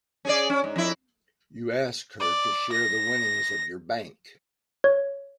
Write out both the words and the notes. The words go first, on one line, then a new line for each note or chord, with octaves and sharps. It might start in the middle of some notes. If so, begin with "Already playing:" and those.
You asked her to share the winnings of your bank.
C#4 G#4 D5
C#4
G#2
F2 E4
D5
A#6
C#5